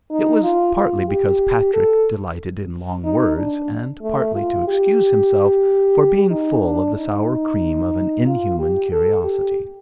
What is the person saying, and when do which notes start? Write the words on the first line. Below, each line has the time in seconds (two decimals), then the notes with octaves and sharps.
It was partly because Patrick delighted in long words, and partly to excuse himself for being full of the sour cream of an inhuman curiosity.
0.10 D#4
0.43 F4
0.76 F4
1.08 G4
1.74 A4
3.05 D#4
3.37 D4
4.02 A3
4.35 F4
4.67 G4
6.30 D#4
6.63 D4
6.96 D#4
8.27 F4
8.59 G4
8.92 A4
9.24 G4